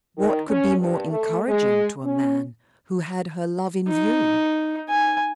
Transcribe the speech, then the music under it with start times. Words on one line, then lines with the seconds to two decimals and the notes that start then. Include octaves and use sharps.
What could be more encouraging to a man who had her love in view?
0.16 D#3
0.47 C#4
0.78 G2
1.09 A3
1.48 G#3
2.04 C#4
3.88 D#4
4.89 G#5